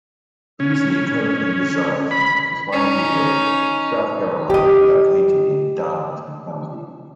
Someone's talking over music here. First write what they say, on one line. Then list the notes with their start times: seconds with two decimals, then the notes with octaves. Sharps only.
Beasley currently resides in Society Hill, South Carolina, located in Darlington County.
0.60 C#4
2.11 B5
2.72 C#4 D#4
4.50 G4 D#5